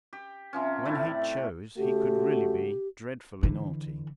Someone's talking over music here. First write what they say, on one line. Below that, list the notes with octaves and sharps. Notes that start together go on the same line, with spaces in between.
When he chose he could really be dreadfully naughty.
G4
C3 F3 C#4
A2 A3 E4 D5
C#3 A3 F#4 G4
D3 E3